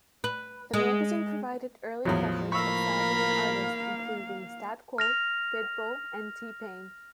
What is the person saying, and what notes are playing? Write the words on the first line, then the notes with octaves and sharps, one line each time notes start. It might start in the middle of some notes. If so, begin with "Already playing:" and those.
The magazine provided early coverage of southern artists including Stat Quo, Pitbull, and T-Pain.
B4
G#3
E2 A2 F3 F#3
A#3 A#4 F5 B5 C#6 E6
F6 A#6 F7